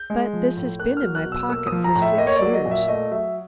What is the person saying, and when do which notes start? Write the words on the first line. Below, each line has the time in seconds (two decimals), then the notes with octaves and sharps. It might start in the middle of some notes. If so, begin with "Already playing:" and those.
But this has been in my pocket for six years.
Already playing: G6
0.10 G#3
0.33 F3
0.56 A2
0.80 A#3 F#6
0.97 F6
1.03 F#3
1.15 F#6
1.26 B2
1.32 E6
1.49 A#3 E6
1.67 D#6
1.72 F3
1.84 A#5
1.95 A2
2.02 E5
2.18 A#3 D#5
2.27 C#5
2.36 D5
2.42 F#3
2.54 D#5
2.65 A#2
2.71 E5
2.88 A3 D#5
3.11 F#3 E5